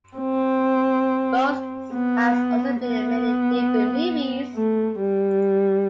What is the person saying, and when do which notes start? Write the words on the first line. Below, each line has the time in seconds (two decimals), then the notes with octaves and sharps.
Rose has also been in many different movies.
0.18 C4
1.93 B3
2.80 B3
4.55 A3
5.00 G3